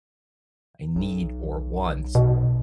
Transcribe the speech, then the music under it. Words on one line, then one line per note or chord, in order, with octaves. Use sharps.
I need or want,
B1
B2